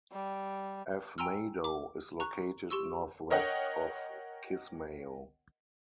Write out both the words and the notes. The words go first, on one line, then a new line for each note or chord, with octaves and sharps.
Afmadow is located northwest of Kismayo.
G3
G5 G#5 A#5 C6 E6 F6
D6
A#5 C#6 F#6
G4 C6 C#6 E6
A#4 C#5 D#5 F#5 G5